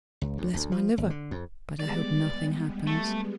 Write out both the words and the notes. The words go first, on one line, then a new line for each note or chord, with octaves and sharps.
"Bless my liver, but I hope nothing happens."
C#2
D2
D2
F3
G#1
D3
F2
G3 G#3 B3 D5
A3